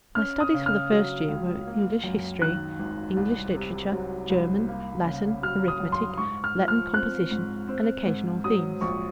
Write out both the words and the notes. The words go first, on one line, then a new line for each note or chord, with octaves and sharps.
My studies for the first year were English history, English literature, German, Latin, arithmetic, Latin composition and occasional themes.
C#4 F6
D#6
C#3
F6
F#3
C#2
A#3
F#2
D#3 F#6
G#1
C2
C3
F#3
C2
A#3
C#3
F#3 F6
D#6
F#2
C6
G#2 C#6
F6
F3
F6
C4 F#6
G#2
C4
G#2
F#3 D#6
A#1 C#6